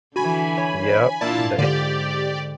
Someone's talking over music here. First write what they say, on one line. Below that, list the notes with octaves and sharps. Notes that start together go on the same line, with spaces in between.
Yep, the i
D3 E3 F#4 G#5 B5
C#5
A#2 D4 E4 F4 D5 A5
G#2 D3 G4 D5